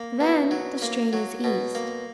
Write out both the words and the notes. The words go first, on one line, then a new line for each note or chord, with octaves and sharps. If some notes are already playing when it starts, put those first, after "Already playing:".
Then the strain is eased.
Already playing: A#3
B2
F#3
A#3
F#3
B2
A#3